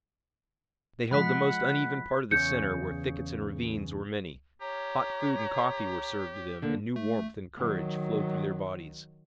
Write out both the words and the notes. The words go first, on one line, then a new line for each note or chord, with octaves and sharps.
They held the most uneven part of the center, where thickets and ravines were many. Hot food and coffee were served to them, and new warmth and courage flowed through their bodies.
F3 G#3 F#5 B5 F#6 B6
E2 C#3 C#5 G6 C#7
G4 C#5 A#5
D3 A#3
A3
D#3 F#3